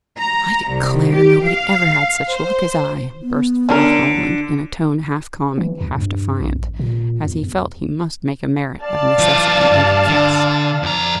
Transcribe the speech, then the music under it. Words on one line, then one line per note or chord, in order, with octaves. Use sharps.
"I declare nobody ever had such luck as I," burst forth Roland, in a tone half comic, half defiant, as he felt he must make a merit of necessity, and confess.
A#5
C2
G4
F5
C5
B3
D3 C#4 D4 A#4
E3
D#2
G2
A#1
A1
A#2
E2
E2
D5 F5 A5
E3 F4
G2
D3
F2 A#5